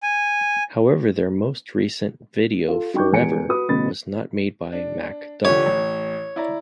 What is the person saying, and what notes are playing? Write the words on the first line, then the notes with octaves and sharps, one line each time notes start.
However, their most recent video, "Forever", was not made by Mack Dawg.
G#5
F4 A4
F#3 D#4 G5 C#6 D6 G6
G#1 E2 G4 G#5 C#7 D7
F#4 B4 D#6
D1 A1 B2 B5 A6
D4
D3 F3 G4 C#5
A1
E4 D5 A#5